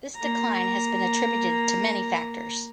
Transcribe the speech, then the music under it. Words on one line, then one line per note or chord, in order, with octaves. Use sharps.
This decline has been attributed to many factors.
A#3 A#5